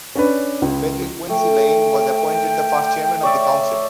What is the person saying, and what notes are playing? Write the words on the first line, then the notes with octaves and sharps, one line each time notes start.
Frederick Quincey Lane was appointed the first chairman of the council.
C#4 D4 B4
C#2
A3 G5
C#5 D5 E5